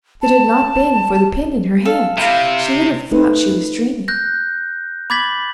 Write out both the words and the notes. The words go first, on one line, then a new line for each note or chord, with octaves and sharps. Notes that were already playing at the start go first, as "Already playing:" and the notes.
If it had not been for the pin in her hands she would have thought she was dreaming.
A5
A4 F5
C3 E4 F5
A3 D#4 B4
F#6 G6 A#6
B5 D6 G#6 A6 B6 F#7